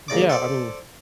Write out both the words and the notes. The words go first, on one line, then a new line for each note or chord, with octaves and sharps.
Yeah, I mean,
D#2 G#2 D5 D6
A4 C5 D5